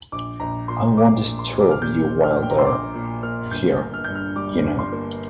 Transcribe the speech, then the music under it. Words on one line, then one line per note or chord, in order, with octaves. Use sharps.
I won’t disturb you while they’re here, you know.
A#1 D6
A#1 A#5
A#2 C6
A#3 D6
A#1
C6
A#1
D6
F6
A#2 G6
A#3
F6
A#1 G5
A#5
C6
A#1 D6
A#2
A#3 F6
G1 G6
A#3
F6
G2 G6
F6
G3 D6
G1
C6
A#3